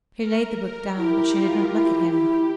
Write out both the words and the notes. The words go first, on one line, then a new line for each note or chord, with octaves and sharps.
She laid the book down, but she did not look at him.
A#4
E4 G4
F4
E4 G4
E4